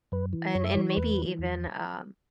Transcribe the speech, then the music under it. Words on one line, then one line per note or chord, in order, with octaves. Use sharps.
And and maybe even, um,
F#2 B4
E3
F#2 C#5
E5
E3 C#5
C#5
E2 B4
E3
E2